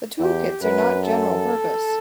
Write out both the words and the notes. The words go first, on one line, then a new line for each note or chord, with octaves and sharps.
The toolkits are not general purpose.
E2 G4
F#2 B4
A4